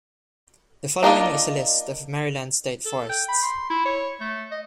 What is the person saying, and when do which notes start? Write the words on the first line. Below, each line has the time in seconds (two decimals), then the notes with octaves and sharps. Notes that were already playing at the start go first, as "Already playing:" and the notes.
The following is a list of Maryland state forests.
1.03 A#3 D4 D#4 F4
2.86 A4
3.09 G5
3.29 B5
3.42 C6
3.70 E4
3.86 C#5
4.20 A3
4.51 D#5